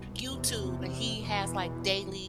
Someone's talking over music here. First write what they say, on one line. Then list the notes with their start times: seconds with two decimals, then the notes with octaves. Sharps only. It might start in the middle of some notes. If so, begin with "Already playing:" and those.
YouTube and he has, like, m
Already playing: C2 B2
0.28 E2 C3
1.19 E2 B2 E3